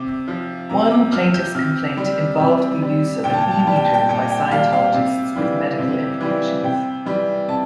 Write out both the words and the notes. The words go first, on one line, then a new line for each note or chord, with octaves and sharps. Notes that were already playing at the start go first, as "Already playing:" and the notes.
One plaintiff's complaint involved the use of an E-Meter by Scientologists with medical implications.
Already playing: C3 D6
F3
C3 A#5
D6
F3 F6
G6
C3 F6
G3
C3
G3
A#2 G5
A5
G5
A5
G5
G3 A5
G5
A5
G5
A#2 G5
G5
G3 F5
F5
C3
E3 G3
C3
E3 G3
C3 G5
E3 G3
C3 A5